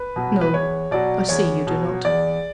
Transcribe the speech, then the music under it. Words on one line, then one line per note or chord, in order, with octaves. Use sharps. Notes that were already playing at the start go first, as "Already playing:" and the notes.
'No, I see you do not.
Already playing: B4
B2 F#3
B4
E2 C#5
B2 F#3 D5
E2 C#5
B2 F#3
E2 D5